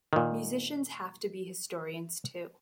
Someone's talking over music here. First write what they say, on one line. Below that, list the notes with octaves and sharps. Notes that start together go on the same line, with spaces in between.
Musicians have to be historians, too.
A#2 D#3